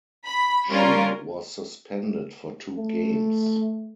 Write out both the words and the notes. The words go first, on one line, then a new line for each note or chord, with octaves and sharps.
She was suspended for two games.
B5
G3 C#4 D4 F4 A#4
A3